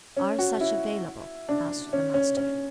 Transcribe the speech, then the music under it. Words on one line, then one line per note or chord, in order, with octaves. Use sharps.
"Are such available?" asked the Master.
C#4
F#4
E4
D4
C#4
C#4
C#4